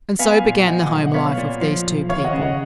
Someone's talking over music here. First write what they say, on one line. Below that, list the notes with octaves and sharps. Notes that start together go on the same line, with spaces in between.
And so began the home life of these two people.
B3 F5 G#5
A#2
F3 D#5 F#5
B1
F#5
B3 C#5 F5
A#2
F3
B1
D#2 C#5 F5
D#5 F#5
C#3
D#5 F#5